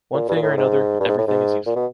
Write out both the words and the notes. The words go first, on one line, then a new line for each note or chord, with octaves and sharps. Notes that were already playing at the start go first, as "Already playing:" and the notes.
One thing or another, everything is useful.
A#2
G2
A#2
A2
G#2
G2
G#2
A2
G#2
A#2
B2